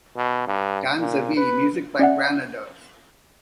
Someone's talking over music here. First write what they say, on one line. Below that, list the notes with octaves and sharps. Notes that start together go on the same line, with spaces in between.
Danza V, music by Granados.
B2
G2
A#2
B4
C#4 D5 E5 F#5